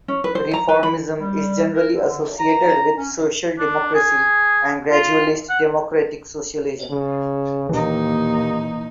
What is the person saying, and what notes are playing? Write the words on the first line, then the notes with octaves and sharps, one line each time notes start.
Reformism is generally associated with social democracy and gradualist democratic socialism.
C#4
B4
C5
A#5
B4
B5
G3
A#4
D3
A#5
C#4
D4
G#4
F4
F#5
C#3
D#2 A#2 E3 D#4